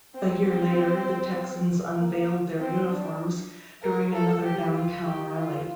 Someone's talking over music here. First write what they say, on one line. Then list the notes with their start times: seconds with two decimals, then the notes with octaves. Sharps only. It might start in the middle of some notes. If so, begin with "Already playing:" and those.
A year later the Texans unveiled their uniforms during another downtown rally.
0.14 C4
0.45 C4
1.99 A#3
2.60 C4
2.91 D4
3.83 A#4
4.13 A4
4.44 G4
4.74 F4
5.05 G4
5.36 F4